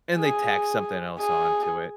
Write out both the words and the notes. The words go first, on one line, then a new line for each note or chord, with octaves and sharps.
and they tack something else onto it.
G#4
G#4